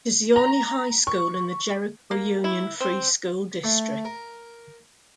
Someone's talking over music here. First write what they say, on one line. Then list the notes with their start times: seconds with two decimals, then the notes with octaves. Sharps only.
It is the only high school in the Jericho Union Free School District.
0.36 A#5
1.07 C#6
2.11 A#3
2.44 E4
2.80 C4
3.64 A3
4.05 A#4